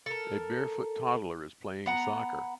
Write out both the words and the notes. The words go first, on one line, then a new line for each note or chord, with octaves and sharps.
A barefoot toddler is playing soccer.
A4 A#4
B3 F#5 A#5